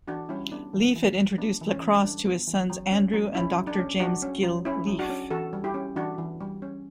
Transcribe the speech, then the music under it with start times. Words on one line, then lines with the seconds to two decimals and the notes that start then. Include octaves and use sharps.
Leaf had introduced lacrosse to his sons Andrew and Doctor James 'Gil' Leaf.
0.08 E3 D4 F#4
0.29 G3 C#4 E4
0.52 B3 D4
0.73 E3
0.96 E3
1.17 G3
1.38 B3 D4
1.61 E3
1.71 C#4
1.82 E3
2.03 G3 D4
2.26 B3
2.47 E3
2.70 F#3
2.92 C#4
3.14 F#3
3.35 C#4 E4
3.57 F#3
3.67 D4
3.79 C#4
4.00 F#3 D4 F#4
4.22 C#4
4.43 F#3
4.65 C#4 E4
4.87 F#3
4.99 D4 F#4
5.09 C#4
5.31 E3 F#4 A4
5.53 G3
5.64 E4 G4
5.74 C#4
5.96 E3 D4 F#4
6.18 E3
6.41 G3
6.62 C#4